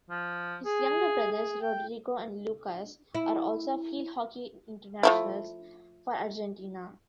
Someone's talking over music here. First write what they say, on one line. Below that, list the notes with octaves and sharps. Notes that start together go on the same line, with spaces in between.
His younger brothers Rodrigo and Lucas are also field hockey internationals for Argentina.
F3
G#4
G#4
G5
E4
F3 A3 E4